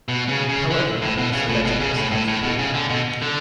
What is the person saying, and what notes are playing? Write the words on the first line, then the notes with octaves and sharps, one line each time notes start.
However, this legend was not true.
B2
C#3
C#3
D3
A2
B2
C#3
A2
B2
C#3
A2
A2
A2
B2
C#3
D3
B2
D3